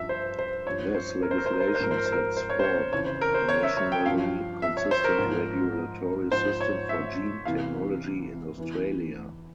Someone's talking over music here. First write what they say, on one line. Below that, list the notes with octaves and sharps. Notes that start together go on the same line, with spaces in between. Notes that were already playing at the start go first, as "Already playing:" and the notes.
This legislation sets forth a nationally consistent regulatory system for gene technology in Australia.
Already playing: G2 F3 E5
C5
C5
G2 F3 C#5
C5
A#4
C5
A#4
C5
A#4
C5
A#4
C5
G#2 F3 A#4
C5
A#4
C5
A#4
C5
C#5
C5
C#5
F2 C#3 E3 C#5
C5
A#4
C5
C#5
E5
C#5
G5
G2 F3 F5
E5
C#5
C5
A#4
G#2 F3
G#2 F3 C5
C#5
E5
E2 C3 E3 F5
E2 E3